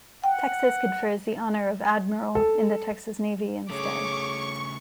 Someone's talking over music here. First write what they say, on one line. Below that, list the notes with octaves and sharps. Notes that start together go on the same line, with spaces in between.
Texas confers the honor of "admiral" in the Texas Navy instead.
F#5 G5
A4
C#3 A3 G#4 C#5 C#6 D6